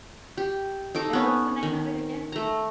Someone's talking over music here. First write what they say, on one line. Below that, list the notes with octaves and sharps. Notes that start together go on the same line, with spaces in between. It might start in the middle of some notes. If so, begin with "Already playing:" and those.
And what's the name of it again?
G4
D#4 A4 D6
B3 C#4
D#3
A3 A#5